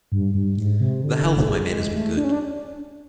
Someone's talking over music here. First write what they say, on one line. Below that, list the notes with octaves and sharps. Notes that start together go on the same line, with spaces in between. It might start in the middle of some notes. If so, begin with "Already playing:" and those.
The health of my men has been good.
G2
G2
G#2
C3
D3
A3
G#3
A3
D4
C#4
D4